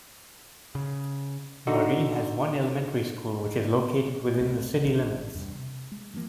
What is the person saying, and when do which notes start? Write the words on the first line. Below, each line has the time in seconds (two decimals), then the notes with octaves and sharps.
Marine has one elementary school which is located within the city limits.
0.75 C#3
1.67 D3 D#4 F#4
4.41 C#2 A3 C4
4.85 A1 D#3 D4
5.35 E2 G2 B2
5.55 C3
5.92 G#3
6.14 E3 F3 A3 A#3